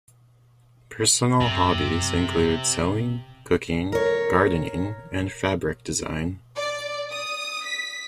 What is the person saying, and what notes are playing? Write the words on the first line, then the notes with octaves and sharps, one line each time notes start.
Personal hobbies include sewing, cooking, gardening, and fabric design.
F#2 C3 B3 C4
A#4 C#5
D5
D#6
B6